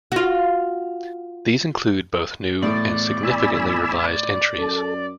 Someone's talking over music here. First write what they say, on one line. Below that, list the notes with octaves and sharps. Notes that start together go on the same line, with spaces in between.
These include both new and significantly revised entries.
F4 F#4
E2 A2 D5
G#5 B5 E6
F#2 A4